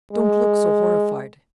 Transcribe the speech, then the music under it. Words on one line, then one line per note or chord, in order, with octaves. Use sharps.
Don't look so horrified.
G#3